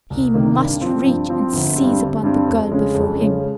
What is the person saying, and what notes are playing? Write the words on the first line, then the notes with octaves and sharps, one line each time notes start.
He must reach and seize upon the girl before him!
C2
C3 D#3 A#3
G2
F3 C4
G2
F3 C4
G1
G2 G3 C4
G1
G2 G3 C4
F2
C#3 G#3 C#4
F2
C#3 G#3 C#4